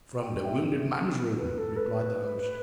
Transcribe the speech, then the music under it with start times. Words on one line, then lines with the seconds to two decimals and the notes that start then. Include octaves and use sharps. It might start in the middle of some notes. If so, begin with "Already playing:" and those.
"From the wounded man's room," replied the host.
0.21 G5
0.41 G5
0.45 E5
1.37 B4
1.57 A4
1.76 B4